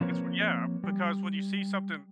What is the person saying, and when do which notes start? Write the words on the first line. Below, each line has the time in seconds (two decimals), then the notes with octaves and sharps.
That's what yeah, because when you see something
0.01 F3 A#3 C4 A#4 B4 C#5
0.84 G3